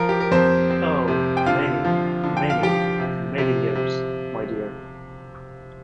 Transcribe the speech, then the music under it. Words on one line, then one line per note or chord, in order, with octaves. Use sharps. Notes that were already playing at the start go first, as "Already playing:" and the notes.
Oh, many, many, many years, my dear.
Already playing: F3 A#4
G4
A#4
F2 C4 C5
C4
C3
G5
D3 F4 F5
F3
D3
G5
F5
F3 G4 G5
C3
C3
C3